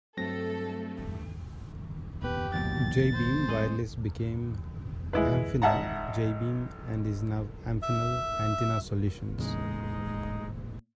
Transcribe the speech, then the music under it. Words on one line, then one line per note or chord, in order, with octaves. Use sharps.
Jaybeam Wireless became Amphenol Jaybeam and is now Amphenol Antenna Solutions.
G2 F#3 A3 C4 A4 A#6
D#1 A#2 B3 G4 B4
G#1 D#2 B2 F3 G3 A6
C5
G#3 C4 D#5
G#3 E4 B4
G#1 E5 F#5 A5 A#5
E5
E2 A2 C#3 G#3 A#3 D#4